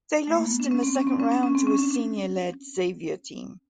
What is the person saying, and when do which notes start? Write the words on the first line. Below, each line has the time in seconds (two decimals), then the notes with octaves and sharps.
They lost in the second round to a senior-led Xavier team.
0.27 A3
0.35 A#3
0.47 B3
0.60 D4
0.71 C#4
0.83 C4
0.95 C#4
1.07 C4
1.20 C#4
1.32 D4
1.43 C#4
1.55 C4
1.67 C#4
1.78 D4
1.91 D4